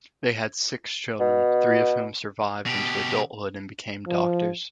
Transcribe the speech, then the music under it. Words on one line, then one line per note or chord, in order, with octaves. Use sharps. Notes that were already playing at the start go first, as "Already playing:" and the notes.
They had six children, three of whom survived into adulthood and became doctors.
B2
B2 G4
F3